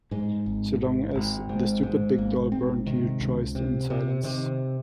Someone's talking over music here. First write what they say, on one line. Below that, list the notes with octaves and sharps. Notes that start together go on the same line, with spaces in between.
So long as the stupid big doll burned he rejoiced in silence.
G#2 G#3
G#1
G#2
G#1
G#2
G#2
G#1 A#3
G#2 C4
C3 D#3
C#2
C3
C3
C3 D#3